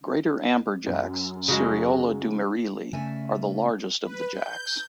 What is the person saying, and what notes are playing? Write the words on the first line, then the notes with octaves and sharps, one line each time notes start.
Greater amberjacks, "Seriola dumerili", are the largest of the jacks.
F#2
C#3 F#3 G#3
C#3 A3 D5 E5 G#5
B4
G6